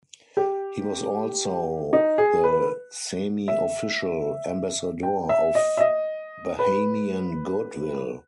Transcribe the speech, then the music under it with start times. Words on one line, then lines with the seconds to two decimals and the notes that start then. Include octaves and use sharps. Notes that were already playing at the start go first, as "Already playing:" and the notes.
He was also the semiofficial Ambassador of Bahamian Goodwill.
0.37 G4
1.93 D#4
2.18 G#4
2.44 B4
3.48 E5
5.03 G5
5.29 E5
5.55 D#5
5.77 E5
5.80 D#5
6.59 B4